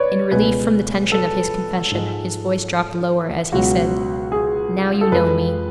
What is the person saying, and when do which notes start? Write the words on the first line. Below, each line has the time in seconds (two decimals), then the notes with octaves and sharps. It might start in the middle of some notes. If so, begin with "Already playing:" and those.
In relief from the tension of his confession, his voice dropped lower as he said, 'Now you know me!'
Already playing: B4 C#5 D5
0.31 C#2 B2 G#3 B4
1.12 A4
1.92 G#2 F3 G#3
3.52 C#2 B2 F#3 F#4
4.32 G#4
5.01 A4
5.12 F2 F3 G#3 B4